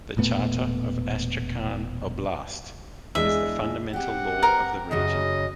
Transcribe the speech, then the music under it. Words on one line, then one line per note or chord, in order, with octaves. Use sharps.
The Charter of Astrakhan Oblast is the fundamental law of the region.
E1 A#2 A3 B3
E2 G#3 D4 E5
C4 G4 F#5
A#4
F#2 C#3 F#3 D#5